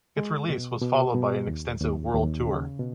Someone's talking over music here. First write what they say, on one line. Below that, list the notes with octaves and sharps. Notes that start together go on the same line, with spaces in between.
Its release was followed by an extensive world tour.
G#3
B2
B2
B2
D#2
D#2
D#2
C#3
B2